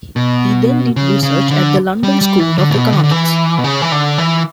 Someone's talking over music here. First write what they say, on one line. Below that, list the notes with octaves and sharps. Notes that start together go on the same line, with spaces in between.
He then did research at the London School of Economics.
B2
C#3
C#3
D3
G3
G3
E3
D3
A2
B2
D3
D3
E3
B2
C#3
E3
D3
E3